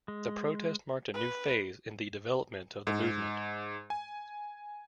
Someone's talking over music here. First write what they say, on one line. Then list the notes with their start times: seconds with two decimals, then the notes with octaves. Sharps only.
The protest marked a new phase in the development of the movement.
0.08 G#3
1.14 B4
2.87 G#2
3.90 G#5